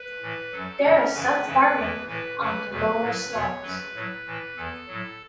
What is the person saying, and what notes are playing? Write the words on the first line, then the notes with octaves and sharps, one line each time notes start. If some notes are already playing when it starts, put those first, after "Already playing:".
There is some farming on the lower slopes.
Already playing: B4
A2 E3
F#2 F#3 A4
F#2 C#3 E3 C#4
F#2 C#3 E3 B4
F#2 C#3 E3
E2 E3
A2 E3 B4
F#2 C#3 F#3 B4
E2 B2 F#3 B4
A2 F#3
E2 B2 F#3 C#5
F#2 F#3 B4
A2 F#3
A2 E3
E2 E3 A4
A2 F#3